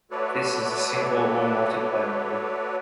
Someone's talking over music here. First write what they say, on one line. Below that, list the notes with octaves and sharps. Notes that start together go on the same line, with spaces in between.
This is a Single or Multiplayer mode.
A3 F#4 A4 B4 C#5 D5